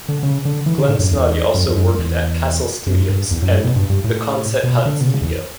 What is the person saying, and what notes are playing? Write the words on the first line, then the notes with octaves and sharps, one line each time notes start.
Glenn Snoddy also worked at Castle Studios and The Quonset Hut Studio.
D3
C#3
D3
E3
D3
A2
F#2
E2
F#2
E2
F#2
E2
F#2
G2
E2
F#2
G2
B2
G2
G2
A2
B2
D3
B2
C#3
E2